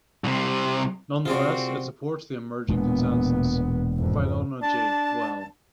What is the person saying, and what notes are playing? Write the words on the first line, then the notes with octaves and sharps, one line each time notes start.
Nonetheless, it supports the emerging consensus phylogeny well.
C2 C3
C3 C4 F4 F#4 G#4 D5
E1 A#2 G#3 B3 D4
G#1 F2
D4 A5